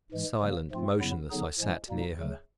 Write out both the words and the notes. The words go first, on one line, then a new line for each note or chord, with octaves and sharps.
Silent, motionless, I sat near her.
G#2 E3 G#3
C#3 F#3 A#3
G#2 F3 A3 C4 F4
F#2 C#3 F#3 B3 E4
D3 F#3 B3 D#4 G#4
A2 F3 G#3 C#4
B2 G3 A#3 D#4
C#3 F#3 A3